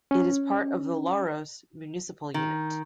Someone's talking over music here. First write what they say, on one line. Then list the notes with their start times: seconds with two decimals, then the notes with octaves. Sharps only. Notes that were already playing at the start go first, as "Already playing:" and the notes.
It is part of the Louros municipal unit.
0.11 C#4
2.34 D#3